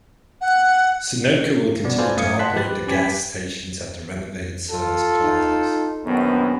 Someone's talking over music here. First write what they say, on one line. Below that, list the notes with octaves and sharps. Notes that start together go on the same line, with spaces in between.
Sunoco will continue to operate the gas stations at the renovated service plazas.
F#5
B2 B3 D5
A4 B4 C5 D5 F5 G#5
F#2 A3 F5 D#6 G#6 C#7
D#5 F#5 A5 C6 F#6 B6
F3 G4 B4 F#6 A6
C#4 G4 B4 G#5 B6
F4 A4
D#4
A#1 F#2 D#3 B3